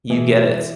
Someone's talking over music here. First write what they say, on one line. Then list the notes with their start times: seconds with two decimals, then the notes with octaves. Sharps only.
You get it.
0.10 B2 E3 B3 E4 G#4